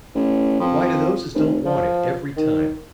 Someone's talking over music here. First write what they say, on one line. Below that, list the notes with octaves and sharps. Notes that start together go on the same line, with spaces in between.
Why, to those as don't want it, every time.
A1
F2
F1
F3
D#3